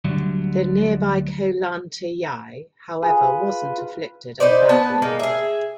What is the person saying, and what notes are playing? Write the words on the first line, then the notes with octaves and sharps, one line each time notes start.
The nearby Ko Lanta Yai, however, wasn't afflicted as badly.
D2 D3 F#3 G3
F4 G#4 B4
D#4 B4 C5 D5
B3 B4 A5
G#3 A#3 D#4
G#4 E5